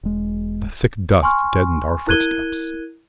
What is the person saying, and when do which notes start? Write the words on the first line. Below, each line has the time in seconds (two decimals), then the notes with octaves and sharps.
The thick dust deadened our footsteps.
0.03 E1 G#3
1.23 G#5 C6 C#6 F6
2.07 E4 A#4 F#6 G#6 D#7 G7